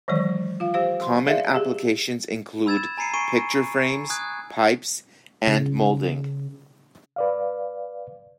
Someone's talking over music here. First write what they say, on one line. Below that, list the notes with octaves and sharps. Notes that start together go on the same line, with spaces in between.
Common applications include picture frames, pipes, and molding.
D#3 E3 F#3 G#3 C#5
F4 F5
G4 C5 F5
C6
G#4 D5 E5 F5
G4 G#4
B5 E6 G#6 A6 E7
G#5 A#5 B5 C7 C#7 D#7
G#5 C#6 C7 D7 D#7
G#5 D#6 F#6 G#6
C#3
B4 D5 F5